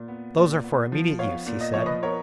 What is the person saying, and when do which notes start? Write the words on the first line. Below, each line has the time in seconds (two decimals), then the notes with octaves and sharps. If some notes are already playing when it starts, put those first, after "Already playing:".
"Those are for immediate use," he said.
Already playing: A#2
0.08 B3
0.36 A#2
0.64 B3
0.92 F3
1.19 B3 C#5 F5
1.46 A#2
1.61 D#5
1.74 F3 C#5
1.86 B4 D#5
2.02 B3 A#4 C#5